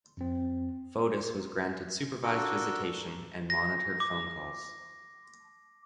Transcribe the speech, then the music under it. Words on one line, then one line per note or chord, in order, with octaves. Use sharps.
Fotis was granted supervised visitation and monitored phone calls.
F2 C4
D4 F#4 A4 A#4
A#6
D6